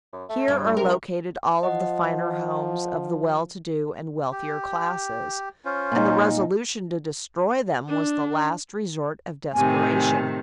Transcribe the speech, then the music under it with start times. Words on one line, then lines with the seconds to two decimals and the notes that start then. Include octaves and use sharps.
Here are located all of the finer homes of the well-to-do and wealthier classes, and the resolution to destroy them was the last resort of desperation.
0.13 F#2
0.30 A3
0.48 G2
0.64 A#2
0.77 C3 A#4
1.63 F3 D#5 F#5
4.32 G4
5.65 C#4 F4 C5
5.92 A#2 D#4
7.89 D4
9.53 A2 C3 D#3 G#5